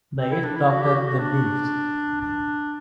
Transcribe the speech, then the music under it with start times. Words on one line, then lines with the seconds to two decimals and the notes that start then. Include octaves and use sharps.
The Eighth Doctor then leaves.
0.19 C4
0.32 E4
0.44 D4
0.56 E4
0.70 F#4
0.82 G4
0.95 F#4
1.08 F#4
1.19 D4
2.21 D4